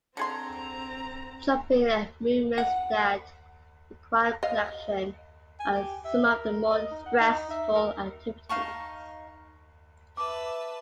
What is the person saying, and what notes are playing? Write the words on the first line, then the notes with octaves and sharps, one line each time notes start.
Jumping, and movements that require collection, are some of the more stressful activities.
D3 C4 G#4 A#5 C6
F#5
D#5 F5
G#5
G4
E5
A#4
D#5
D#4
F#5
D#4
E5
A#4
D#4 F5 A5 C#6
B4 E5 A5 D6